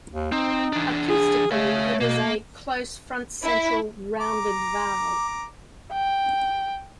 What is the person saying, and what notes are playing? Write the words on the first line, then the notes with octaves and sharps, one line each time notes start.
Acoustically it is a "close front-central rounded vowel".
D#2
C4 D#4
E3 D4
G#4
A3 C#5 F5
B2 A#3
E4
A#5 D6
G5